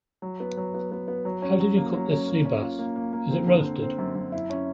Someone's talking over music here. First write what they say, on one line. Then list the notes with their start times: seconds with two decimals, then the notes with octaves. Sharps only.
How did you cook this seabass? Is it roasted?
0.22 F#3
0.40 B3
0.57 F#3
0.74 B3
0.92 B3
1.08 B3
1.25 F#3
1.42 C#4
1.60 F#3
1.77 A#3
1.93 F#3
2.11 C#4
2.28 A#3
2.45 C#4
2.62 F4
2.79 A#3
2.96 A#3
3.13 A#3
3.30 C4
3.47 D3
3.64 C4
3.82 C4
3.98 F#2
4.15 F#2
4.32 E4
4.50 C#4